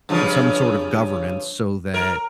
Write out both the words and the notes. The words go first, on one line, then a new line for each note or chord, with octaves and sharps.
and some sort of governance so that,
G2 C#3 F3
A#4